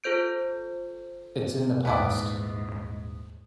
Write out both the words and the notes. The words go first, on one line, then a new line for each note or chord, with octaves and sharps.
It's in the past.
F4 A4 C5 G6 D7
D#1 G#2 B3 E4 D5